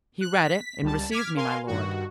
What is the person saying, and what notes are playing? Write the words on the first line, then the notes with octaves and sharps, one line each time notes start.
"He read it, and received me, my lord."
F#6
B6
C#2 G3 A5
D6 F6 G#6 B6
A#4 F5 G#5 C6
G2 D#3 F#4